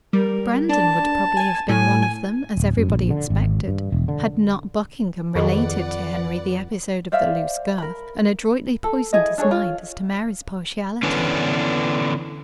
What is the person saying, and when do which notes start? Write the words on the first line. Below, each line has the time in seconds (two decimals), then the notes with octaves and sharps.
Brandon would probably have been one of them, as everybody expected, had not Buckingham related to Henry the episode of the loose girth, and adroitly poisoned his mind as to Mary's partiality.
0.13 G3 A#4
0.69 D4 A5
1.37 G#5
1.69 A2 G#5
2.57 D1
2.77 F#2
2.89 A#1
3.10 D3
3.30 G#1
3.68 G2
3.92 E1
4.08 D3
5.35 F2 D#3 G#4 B4 D5 D#5 F#5
7.12 C5 D5 E5 F5
7.78 A#4 B5
8.84 A4
9.13 E4 G#4 D#5
9.38 D4 G#4 A4 C#5
9.51 F4
11.03 D3 E3 B3 C#4 D4